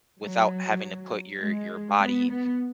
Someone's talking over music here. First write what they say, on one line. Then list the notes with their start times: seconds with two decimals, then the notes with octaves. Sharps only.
without having to put your your body,
0.24 F#3
1.41 G#3
2.00 B3
2.30 B3